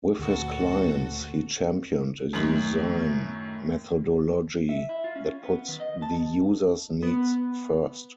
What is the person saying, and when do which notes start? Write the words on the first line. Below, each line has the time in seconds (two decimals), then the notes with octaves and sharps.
With his clients, he championed a design methodology that puts the users' needs first.
0.19 D2 A#2 F#4 A4
2.33 F#2 A2 D#3 F#7
4.69 E5
4.89 E4
5.04 F4
5.16 C#4
5.43 B3
5.68 D#3
5.80 D#5
6.02 A5
7.03 B3